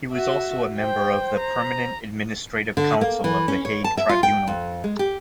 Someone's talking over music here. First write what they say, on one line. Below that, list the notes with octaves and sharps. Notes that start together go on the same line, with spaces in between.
He was also a member of the Permanent Administrative Council of The Hague Tribunal.
F#4 E5
C5 G5
A#5
D3
A#3
E3
C#4
C#5
A5
E5
F4
G5
F2
G#3
G4